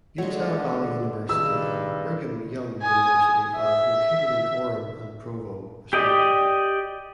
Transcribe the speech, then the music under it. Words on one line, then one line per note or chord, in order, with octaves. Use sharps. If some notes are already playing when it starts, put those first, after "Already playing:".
Utah Valley University and Brigham Young University are located in Orem and Provo respectively.
D3 G#3 A3 A4 C#5 F#5
G2 C3 D#3 G#4 E6
G#5 D#6
E5
G4 D5 D#5